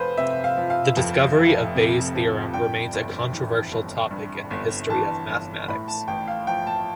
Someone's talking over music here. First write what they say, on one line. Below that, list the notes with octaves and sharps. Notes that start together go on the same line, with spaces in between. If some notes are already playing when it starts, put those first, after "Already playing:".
The discovery of Bayes' theorem remains a controversial topic in the history of mathematics.
Already playing: F1 F2 B4 C5 F5
C3 E5
F5
F3
F5
F2
F1
C3
F3
G2 G5
G1
E3
G1
G2
G1
E3 A5
G1
A2 B5
A5
A1 G5
F5
F3 G5
A5